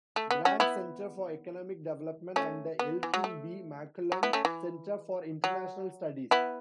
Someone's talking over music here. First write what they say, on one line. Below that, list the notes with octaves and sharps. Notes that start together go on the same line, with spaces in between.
Grant Center for Economic Development and the Elkin B. McCallum Center for International Studies.
A3
B3
C#4 F#4
B3 E4
A3 C#4
B3
E3
F#3
A3
F#3
B3 E4
A3 C#4
E3
F#3
B3 E4